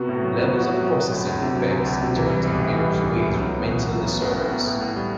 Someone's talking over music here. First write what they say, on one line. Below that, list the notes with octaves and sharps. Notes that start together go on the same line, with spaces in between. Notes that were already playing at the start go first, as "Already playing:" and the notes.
Levels-of-processing effects interact in various ways with mental disorders.
Already playing: C3 B3 F#4
A2
F#3
B3
F#4
A2
F#3
F#3
D2
D2
C3
F#3
D2
D2
C3
E3
G3
B1
A2
E3
G3
B1
A2
F#3
B3
A1
A2
F#3
B3
A1
A2
B3
A2
A2
G3